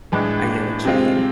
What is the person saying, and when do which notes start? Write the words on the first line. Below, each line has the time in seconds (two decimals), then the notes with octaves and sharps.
I know what you mean.
0.12 A2 E3 G#3 D4
0.85 C3 G#3 C4 F4